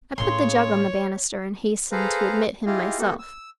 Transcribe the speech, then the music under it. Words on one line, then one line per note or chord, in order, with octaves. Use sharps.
I put the jug on the banister and hastened to admit him myself.
A2 C#3 A3 C#5 C6
G#4 A4 B4 C5 F5 A#5
E4 F4 G4 G#4 D#5 F5
A#3 B3 F#4 G4 A4
E6